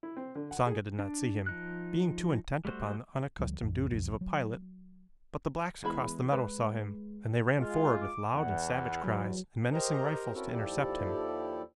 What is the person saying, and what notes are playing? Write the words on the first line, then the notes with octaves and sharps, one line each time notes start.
Usanga did not see him, being too intent upon the unaccustomed duties of a pilot, but the blacks across the meadow saw him and they ran forward with loud and savage cries and menacing rifles to intercept him.
E4
C4
D3
F#5
G#4
D4
F3 D#4 F#6
G3 A3 F#4 C5
D2 F3 G3
A1 F2
E1 B1 F2
F#3
E2 G#3 E4 B5
G#3 B4
G#3 F4
D6
E2 F#5
F#3
G4 A#4 C5 D#5 A#5
C4 C#4 E4 F#4 A4 A#4
D#2 F3 E4 G4 A4 D5